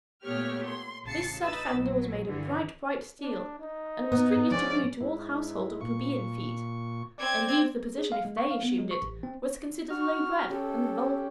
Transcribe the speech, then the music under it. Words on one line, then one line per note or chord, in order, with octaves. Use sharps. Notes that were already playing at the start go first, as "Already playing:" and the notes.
This said fender was made of bright, bright steel, and was strictly tabooed to all household and plebeian feet; indeed the position, if they assumed it, was considered low-bred and vulgar.
A#2 A3 B3 G4 C#5 F6
C6
A1 C#3 A5 C7 C#7
D#4 B4 E6 A6
A#1 F#3
G2 D3 E3
D4
D#4
G#2 B3
G#2 F3 C#4 D5
G#2 E4
A#2 C#6
C4 D5 G#6
G#4
F5
G#3
C#6
F5
B3
G#3
C#6
A1
C4
F#4 C#6 F6
C#4 G4 A4